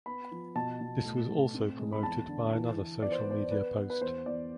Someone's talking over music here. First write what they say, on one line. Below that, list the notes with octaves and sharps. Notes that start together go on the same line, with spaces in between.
This was also promoted by another social media post.
B3 B5
F3
B2 A5
B2
A2
A2
C4
G#3
B5
E2 A5
D3
E3
E3
B3 D5
C5
B4
B3 C5
B3 B4
B3
B4
E2 C5
E2 D5